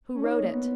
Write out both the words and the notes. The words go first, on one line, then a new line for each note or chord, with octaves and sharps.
"Who wrote it?"
C#4
D#4 C#5
A#3
B3